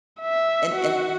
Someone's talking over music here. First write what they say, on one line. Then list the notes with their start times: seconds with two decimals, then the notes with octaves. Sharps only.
and and
0.21 E5
0.75 F#4